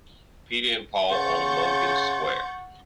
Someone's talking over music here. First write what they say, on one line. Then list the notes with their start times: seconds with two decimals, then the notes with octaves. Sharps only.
Peter and Paul on Logan Square.
1.10 C#3 F#5 C6 C#6 G6 A6